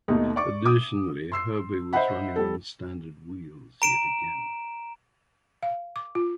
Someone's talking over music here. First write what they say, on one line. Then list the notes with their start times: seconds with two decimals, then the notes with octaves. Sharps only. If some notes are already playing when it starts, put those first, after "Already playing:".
Additionally, Herbie was running on standard wheels yet again.
0.08 D#2 B2 A3 D#4
0.36 D5 C#6 D6
0.66 D6 D#6
1.32 C6 E6 C7
1.93 C5 D#5 E5 F#5 B5
2.36 G3 A4
3.82 A#5 D7 E7
5.63 F5
5.96 D6
6.15 F4